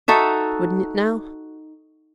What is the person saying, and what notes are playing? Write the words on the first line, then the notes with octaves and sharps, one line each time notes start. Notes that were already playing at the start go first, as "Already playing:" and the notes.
Wouldn't it now?'
D#4 F#4 A4 E5